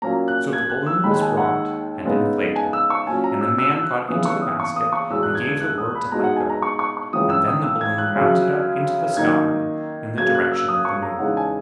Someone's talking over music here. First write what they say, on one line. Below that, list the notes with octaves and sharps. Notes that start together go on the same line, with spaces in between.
So the balloon was brought and inflated, and the Man got into the basket and gave the word to let go, and then the balloon mounted up into the sky in the direction of the moon.
A#2 F#3 A#3 C#4 A#5
F#6
G#6
F#6
E6
D#2 D#3 G#3 D#4 B5
G#5
F#5
C#3 G#3 B3 D#4
G#5
E6
C#6
A#2 F#3 C#4 G#5
A#5
E6
E6
E6
F#6
D#2 C#3 E3 B3 D#6
C#6
D#6
C#6
D#6
C#6
E2 B2 G#3 E6
F#6
G#6
G#6
F#6
D#6
B5
B2 G#3 D#4 A#5
F#5
G#5
A#5
C#6
C#6
C#6
C#2 C#3 E3 D#6
E6
D#6
E6
G#6
F#6
F#2 C#3 F#3
F#2 D#3 A#3 D#4 G#6
C#3 F#3 A#3 G#6
F#6
E6
D#6
C#6
A#5
E2 C#3 G#3 D#4 F#5
G#5